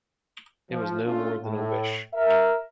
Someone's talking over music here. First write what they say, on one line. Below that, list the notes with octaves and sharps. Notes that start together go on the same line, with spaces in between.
It was no more than a wish.
F3
A3 C#4 D4 F4
A2
A#4 E5